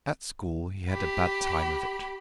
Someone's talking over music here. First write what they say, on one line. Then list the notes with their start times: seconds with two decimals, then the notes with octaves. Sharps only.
At school he had a bad time of it.
0.90 G4 B5